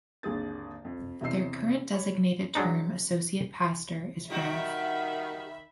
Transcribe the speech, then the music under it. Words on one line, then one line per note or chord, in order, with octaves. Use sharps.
Their current designated term associate pastor is Rev.
G#1 D#2 D3 G#4 A6
F2
E2 C3 E3 D#5 E6 C7
C#5 B5 C#6
F#3 G#3 D4 D#4
D#3 G3 D#4 F#4 E5 B5